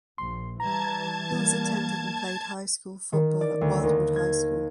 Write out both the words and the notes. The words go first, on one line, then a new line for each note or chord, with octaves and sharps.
Hills attended and played high school football at Wildwood High School.
A#1 C6
E3 G3 A5 A#5 G#6
E3 G3 A#3
D#3
D5
D2
D#2
G#6